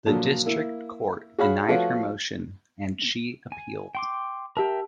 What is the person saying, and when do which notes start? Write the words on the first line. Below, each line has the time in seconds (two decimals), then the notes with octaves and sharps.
The district court denied her motion, and she appealed.
0.06 A#2 D3 F3 F#3
0.46 A#3 E4
1.39 F#4 G#4 C#5 F5 B5
1.68 F3 A3 F4 F#4 B4 C#5
3.52 G#5
3.95 G5 C6 D6
4.57 G4 A#4 E5 G5 A5